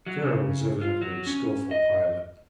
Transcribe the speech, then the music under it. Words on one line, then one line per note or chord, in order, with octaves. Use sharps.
Kara was evidently a skilful pilot.
F#3
C#3
F4
F#3
C#4
D#5